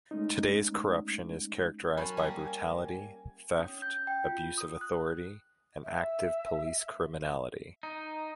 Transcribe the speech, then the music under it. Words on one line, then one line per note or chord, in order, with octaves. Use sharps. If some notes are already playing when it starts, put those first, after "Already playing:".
Today's corruption is characterized by brutality, theft, abuse of authority and active police criminality.
G#3 A3 C#4 D#4
F#2 C#4 A5 B5
G3 A#3 G#5
C#4
G6
G5
F4
D#6
F#6
E5
D#4